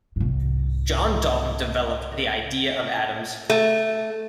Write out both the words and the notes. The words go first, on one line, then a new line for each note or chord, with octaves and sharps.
John Dalton developed the idea of atoms.
C2 G#2
A3